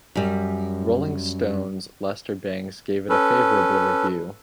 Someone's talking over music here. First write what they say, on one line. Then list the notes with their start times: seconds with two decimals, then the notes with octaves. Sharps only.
"Rolling Stone"'s Lester Bangs gave it a favorable review.
0.15 F#2 G3
3.09 C#4 A4 B4